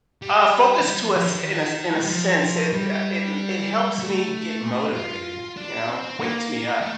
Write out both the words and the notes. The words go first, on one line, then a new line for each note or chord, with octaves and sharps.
Uh, focus to a s in a in a sense, it, uh, it m it helps me get motivated, you know, wakes me up.
G3
F3
G3
F3
F3
D#3
A3
G3
F3
G3
A3
F4
D4
C4
A#3
A3